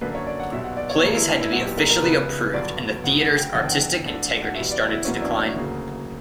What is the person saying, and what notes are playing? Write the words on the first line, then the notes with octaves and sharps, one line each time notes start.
Plays had to be officially approved, and the Theatre's artistic integrity started to decline.
F#2 D3 A#3 B4
C#5
D5
F#5
B1 B2 G3 E5
F#5
D5
C#5
G1 G2 E3 G3 A#3 A#4
E4
D4
E4
B1 A#2 F#3 B3 F#4
G4
A#4
A#4
C#2 C#3 E3 B3 B4
G1 G2 F#3 B3 D5
D2 C#3 F#3 F#5
F#5
G5
F#1 E2 D3 F#5
G5
F#5
E1 D2 D3
F#5
E2 B2 G3 E5
D5
E4
E2 B2 F#3 A#3 C#4
E4
D4
C#5
D2 C#3 F#3 A#3